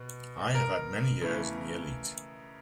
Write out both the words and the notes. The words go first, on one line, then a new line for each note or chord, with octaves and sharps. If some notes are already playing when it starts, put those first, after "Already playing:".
I have had many years in the elite.
Already playing: B2
A#4
C#3 E3 A3